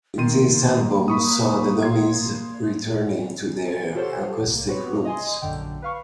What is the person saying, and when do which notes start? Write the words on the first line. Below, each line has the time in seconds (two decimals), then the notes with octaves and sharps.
This album saw the Dummies returning to their acoustic roots.
0.18 D#3 A#3 C6 D#7
1.08 B5 C#6 D#6
1.83 C6 G#6
3.95 F4 G4 A4 C5 C#5 F#5
4.46 C2 A#3
4.67 B3 C4 F#4 B4 C#5
5.05 D#5 G#5 C6
5.42 A#1 F#2 D3 G5
5.82 B4 F5 C#6